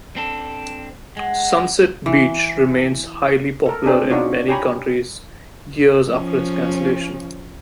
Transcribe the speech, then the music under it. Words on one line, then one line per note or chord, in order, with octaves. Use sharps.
"Sunset Beach" remains highly popular in many countries years after its cancellation.
C4 D4 A4
G#3 F#5
E3
A4 A#4
C4 D4 G#4 A4
D4 D#4 F4 F#4 C#5 D5
G4 C#5 G#5 A#5 B5
F3 C#4